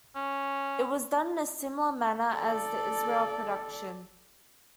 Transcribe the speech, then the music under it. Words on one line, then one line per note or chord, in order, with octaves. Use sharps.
It was done in a similar manner as the Israel production.
C#4
A4 D5